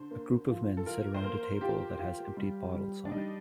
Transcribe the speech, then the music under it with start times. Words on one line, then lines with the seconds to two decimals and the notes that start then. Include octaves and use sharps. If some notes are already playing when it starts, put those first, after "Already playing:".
A group of men sit around a table that has empty bottles on it.
Already playing: D3 C5
0.11 A#3
0.49 F3
0.77 A4
0.86 F4 A#4
1.14 C5
1.23 A#3 A#4
1.61 F4 G4
1.99 F4
2.37 G3
2.74 G3
3.05 D4
3.11 G3 D#4